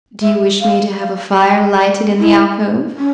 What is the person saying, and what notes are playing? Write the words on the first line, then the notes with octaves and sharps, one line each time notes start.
"Do you wish me to have a fire lighted in the alcove?"
E5
F5
F5
G5
D5
E4
C#4